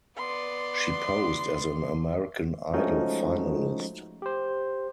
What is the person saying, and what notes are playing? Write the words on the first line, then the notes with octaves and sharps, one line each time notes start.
She posed as an American Idol Finalist.
B3 D5 C6
F3 G#3 A3 C#4 D#4 F#4
G4 C5